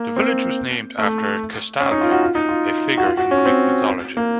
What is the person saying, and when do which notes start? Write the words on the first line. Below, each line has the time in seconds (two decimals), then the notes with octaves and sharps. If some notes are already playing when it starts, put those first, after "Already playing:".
The village was named after Castalia, a figure in Greek mythology.
Already playing: A#3
0.16 C4
0.98 A3
1.80 C#4
1.91 D#4
2.01 F4
2.11 F#4
2.22 F4
2.35 D#4
2.49 F4
2.98 F#4
3.04 F4
3.17 F#4
3.31 C#4
3.45 C4
4.17 A#3